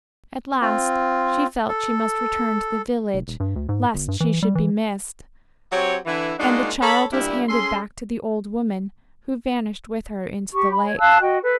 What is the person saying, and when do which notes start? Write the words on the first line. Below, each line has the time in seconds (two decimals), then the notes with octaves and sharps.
At last she felt she must return to the village, lest she should be missed, and the child was handed back to the old woman, who vanished with her into the lake.
0.61 C4 F4
1.69 A4
3.14 F1
3.28 E1
3.40 G2
3.56 D2
3.69 G#2
3.94 G1
4.08 G2
4.20 E3
4.43 G3
4.55 E3
5.72 F#3 C4 G4 C#5
6.06 D3 E3 E4
6.39 G#3 A#3 D4 D#4 F4 F#4
6.81 A4 C#5 B5
7.12 G2 A#2 G3 D4 E4
7.49 C#4 G#4 A4 C6
10.52 G4 C#6
10.71 B5
10.83 C#5
11.00 F5 A5 E6 F#6
11.21 F#4 D#5 G5
11.42 A4 B4